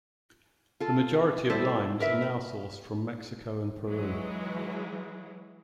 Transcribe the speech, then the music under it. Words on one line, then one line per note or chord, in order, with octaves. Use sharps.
The majority of limes are now sourced from Mexico and Peru.
F4 A4
G3 E4 A4 C5
A#4 B4 E5
E3 F#3 G#3